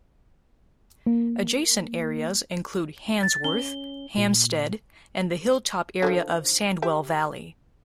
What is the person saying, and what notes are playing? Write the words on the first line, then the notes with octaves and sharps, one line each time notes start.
Adjacent areas include Handsworth, Hamstead and the hilltop area of Sandwell Valley.
A#3
A6
C#4 G7
A#2
D3 D#3 F3
G4 E5